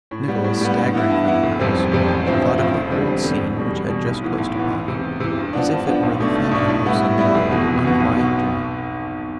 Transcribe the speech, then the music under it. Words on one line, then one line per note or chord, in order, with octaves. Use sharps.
Nicholas, staggering from the house, thought of the hurried scene which had just closed upon him, as if it were the phantom of some wild, unquiet dream.
A2
G3 B3
A2
G3 B3
G2
E3 B3 E4
G2
E3 B3 E4
F1
F2 C3 G3 C4
F1
F2 C3 G3 C4
A1
G2 F3 C4 E4
A1
G2 F3 C4 E4
F1
E2 D3 G3 C4
F1
E2 D3 G3 C4
E2
B2 G3
E2
B2 G3
B1
A2 E3 B3
B1
A2 E3 B3
E2
C3 E3
E2
C3 E3
G2
F3 B3 D4
G2
F3 B3 D4
B1
B2 A3 D4
B1
B2 A3 D4
A2
G3 B3 E4
A2
G3 B3 E4
F1
E2 B2 B3
F1
E2 B2 B3
B1
B2 B3